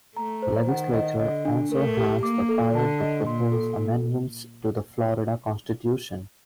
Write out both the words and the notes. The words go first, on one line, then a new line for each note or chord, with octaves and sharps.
The Legislature also has the power to propose amendments to the Florida Constitution.
A3 A#5
C5
D#3 F#5
D#5
D3 D#5
D4
A3 A#4
G4
A#3 D6
A4
D3 A5
D#5
A#2 C6
A4